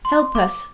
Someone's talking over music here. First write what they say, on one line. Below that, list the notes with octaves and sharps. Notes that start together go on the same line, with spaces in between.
Help us.
C6
D6